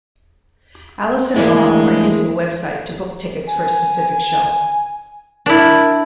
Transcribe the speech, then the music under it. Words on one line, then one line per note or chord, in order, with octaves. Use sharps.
Alice and Bob are using a website to book tickets for a specific show.
D2 E3 G#3 A#3 C#4 D4 E4
G#5
D4 E4 A#4